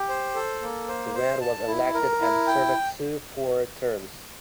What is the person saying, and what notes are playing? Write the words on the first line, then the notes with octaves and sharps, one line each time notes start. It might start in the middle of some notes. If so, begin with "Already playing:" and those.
Grant was elected and served two four-year terms.
Already playing: G4
C5
A4
A#3
C5
C5
A5
E4
A#4
E4
G5